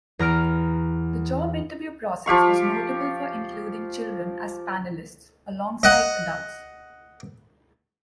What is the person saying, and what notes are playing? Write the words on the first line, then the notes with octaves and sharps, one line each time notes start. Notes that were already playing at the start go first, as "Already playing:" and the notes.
The job interview process was notable for including children as panelists alongside adults.
E2 A#5 F6 D7
F3 G4 F5 C#6
D#5 F#5